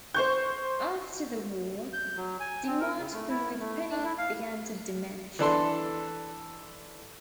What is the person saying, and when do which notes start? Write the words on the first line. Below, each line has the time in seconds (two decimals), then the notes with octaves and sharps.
After the war, demand for the penny began to diminish.
0.14 C5 C#6 G6
1.93 G6
2.17 F#3
2.40 G#5
2.67 C4
2.80 A#4
2.98 C#3
3.12 A3
3.29 E4
3.60 A3
3.91 D4
4.05 E4
4.18 F5
5.39 E3 D4 A4 C6